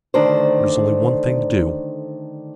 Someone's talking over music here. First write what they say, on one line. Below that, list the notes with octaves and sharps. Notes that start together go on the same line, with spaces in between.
There is only one thing to do.
D3 D#3 A3 D4 C5